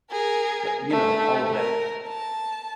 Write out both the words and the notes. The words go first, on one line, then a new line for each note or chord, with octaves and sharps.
But, you know, all of that
G#4 A#4
A3
A#4
A5